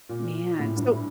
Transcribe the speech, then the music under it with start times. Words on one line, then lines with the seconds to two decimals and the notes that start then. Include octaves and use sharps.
Man. So,
0.09 A#2
0.59 A2
0.76 G2